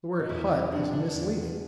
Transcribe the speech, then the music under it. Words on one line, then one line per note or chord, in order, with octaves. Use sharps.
'The word "hut" is misleading.
D#4
E2 E4
D#4
C3 F3 D4
D4
E2